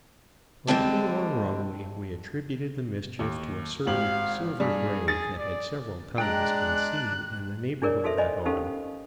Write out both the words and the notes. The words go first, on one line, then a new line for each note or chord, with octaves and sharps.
Rightly or wrongly, we attributed the mischief to a certain "silver-gray" that had several times been seen in the neighborhood that autumn.
D3 G3 G#3 C4 A5
D#2
G#1 G4 F5 F#7
G2 G3 G#4
G#4 A6
D5
G#3 D4 D5 G5 A#5 F#6
D4 E4 G#4 A#4 C#5 D5
D#4 F#4 G#4 A4 C5 E5
C5 D5 D#5 G#5 B5
C#4 D#4 G4 A4 C5 F5